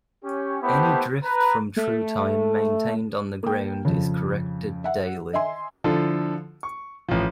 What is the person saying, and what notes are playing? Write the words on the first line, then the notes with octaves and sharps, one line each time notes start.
Any drift from true time maintained on the ground is corrected daily.
C#4 G4
A3 B3 E4 G4 C5 A5
B4 A#5
A3
A#3 G5
F2 C#3
E5 F#5
D#5 E5 G#5 C6
D3 F3 E4 F4 A4
C#6
A1 F3